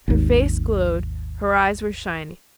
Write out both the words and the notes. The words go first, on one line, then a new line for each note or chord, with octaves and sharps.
Her face glowed, her eyes were shining.
G#1 D#2